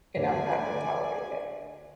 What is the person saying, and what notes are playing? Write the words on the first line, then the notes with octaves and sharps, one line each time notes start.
and I'm not gonna tolerate that.
D2 D3 D5 G#5